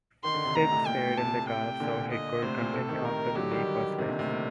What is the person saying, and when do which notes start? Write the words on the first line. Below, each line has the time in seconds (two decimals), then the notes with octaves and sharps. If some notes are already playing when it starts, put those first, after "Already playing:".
Stig stayed in the car so he could continue after the leak was fixed.
0.24 D#3 C6
0.34 D3
0.44 C3 D#3
0.55 A2 C3 A#5
0.71 A2 C3
0.86 A#2 G5
0.97 A2
1.07 A#2
1.18 A2 C3 A5
1.49 G5
1.80 A#2 D3
2.11 D#5
2.43 A2 C3 C5
2.58 A#2
2.74 A2 C3 A4
2.89 C3 D#3
3.05 A#4
3.36 D3 F#3 G4
3.51 D#3 G3
3.98 C3 D#3
4.08 A#2 D3
4.19 A2 C3
4.29 A#2